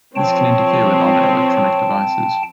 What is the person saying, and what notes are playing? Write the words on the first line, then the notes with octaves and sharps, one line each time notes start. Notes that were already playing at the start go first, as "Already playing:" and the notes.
This can interfere with other electronic devices.
F3 C4 C#5 G5 A5